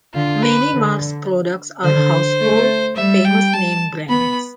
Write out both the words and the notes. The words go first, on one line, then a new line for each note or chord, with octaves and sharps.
Many Mars products are household, famous-name brands.
D3 F4
B4
D3
D3 C5
A3
G3 E5
G5
A5
B3 B5